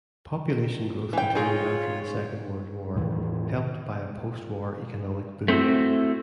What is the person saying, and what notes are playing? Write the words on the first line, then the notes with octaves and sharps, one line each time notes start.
Population growth continued after the Second World War, helped by a post-war economic boom.
E3 G5
D#4 F4 G#4 C#5
E2 A2 D#3 E3
A3 C4 D#4 E4 F#4